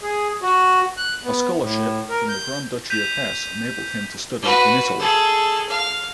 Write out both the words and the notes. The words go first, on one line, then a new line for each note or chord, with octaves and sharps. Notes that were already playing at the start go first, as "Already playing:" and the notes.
A scholarship from the Grand Duchy of Hesse enabled him to study in Italy.
G#4
F#4
F#6
B3
A2
A#4
G6
G6 B6 D#7 F7
F#4 B4
G#4 A4
F5